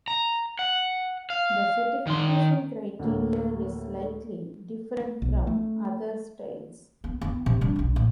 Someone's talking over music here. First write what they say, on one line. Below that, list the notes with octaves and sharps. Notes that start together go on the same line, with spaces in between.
The certification criteria is slightly different from other styles.
A#5
F#5
F5
D#3 C6
D2 A2 A#3
B1
A3
B3
B3 E4
C3
G3 D4
E1 B1
A2